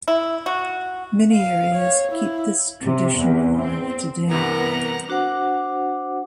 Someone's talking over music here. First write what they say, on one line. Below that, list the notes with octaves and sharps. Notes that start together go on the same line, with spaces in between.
Many areas keep this tradition alive today.
E4
F#4
F5
C#5
E4
C3
E2
C4
G2 C3 E3 B3 A#4 F#5 A#5
D4 F#4 C5 F#5 D6